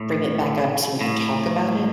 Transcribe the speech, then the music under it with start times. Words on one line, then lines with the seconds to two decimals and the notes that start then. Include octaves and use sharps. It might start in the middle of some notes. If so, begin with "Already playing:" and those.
bring it back up so we could talk about it
Already playing: A2
1.01 A2